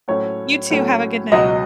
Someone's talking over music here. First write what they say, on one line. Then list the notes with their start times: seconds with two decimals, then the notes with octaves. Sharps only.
You too. Have a good night.
0.08 A2 F#3 A3 C#4 C#5
0.70 A2 F#3 A3 C#4
1.32 C#2 B2 F#3 D#5